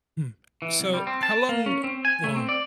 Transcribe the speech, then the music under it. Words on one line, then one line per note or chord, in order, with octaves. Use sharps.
Mm. So how long well,
E3
C2
G3
C4
A5
A#3
C#4
C4
G#5
A3
C4
D5